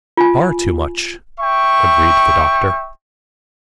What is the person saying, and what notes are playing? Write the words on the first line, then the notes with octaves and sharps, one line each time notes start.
"Far too much," agreed the doctor.
F4 G#5
E5 G5 C#6